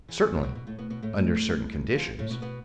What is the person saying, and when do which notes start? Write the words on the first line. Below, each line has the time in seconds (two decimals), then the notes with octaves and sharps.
"Certainly, under certain conditions."
0.08 E2 E3
0.21 E2 E3
0.33 A2
0.43 B2
0.55 B2
0.67 A2 A3
0.79 B2 B3
0.90 B2 B3
1.02 A2 A3
1.95 F2 F3
2.19 A2 A3
2.30 B2 B3
2.42 B2 B3